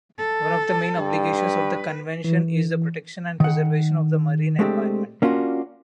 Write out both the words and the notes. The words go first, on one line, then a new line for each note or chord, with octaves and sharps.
One of the main obligations of the Convention is the protection and preservation of the marine environment.
A4
G2
B4
E3
D#3 F#5
G#3 A3 C4 D4 G4
A#3 C#4 D4 F4 F#4